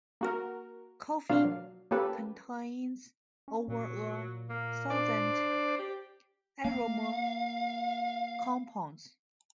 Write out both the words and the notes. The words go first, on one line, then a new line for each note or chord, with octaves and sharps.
Coffee contains over a thousand aroma compounds.
A#3 F#4 A#4
B2 A#3 D4 F4 F#4 F5
F#3
A#3 C#4 F4 G4 A4 B4
C#4
A#2 F#3
A#3
D4 C5 D5
G4
A#3 F5